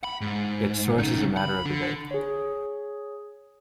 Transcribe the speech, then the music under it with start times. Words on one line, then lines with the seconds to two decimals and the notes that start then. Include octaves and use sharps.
Its source is a matter of debate.
0.04 B5
0.21 G#2
0.99 C#3 D#4
1.37 B5
1.66 D3
2.11 G#4 C#5